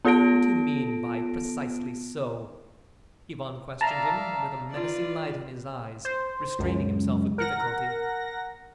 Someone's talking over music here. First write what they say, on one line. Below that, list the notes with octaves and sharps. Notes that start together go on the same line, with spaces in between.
"What do you mean by 'precisely so'?" Ivan questioned him, with a menacing light in his eyes, restraining himself with difficulty.
B3 F4 A4 A5 A#6 D7
D5 E5 F5 A5 A#5
F4 B4 D5
C5
C#2 F#2
A#4 F#5 A#6